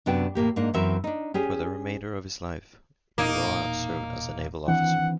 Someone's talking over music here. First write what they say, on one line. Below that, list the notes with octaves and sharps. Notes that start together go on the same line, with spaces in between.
For the remainder of his life, Ulloa served as a naval officer.
F#2 C3 B3 D4 F#4 G5
E2 A2 A#3 G4
G#2 A#3 D4 D#4
F#2 E3 C4 F#4 A#4 E5
D4 D#4
C#4 G4 G#4
E1 A#2 A#3 D#4
D#3 E3 C4 D4 F#5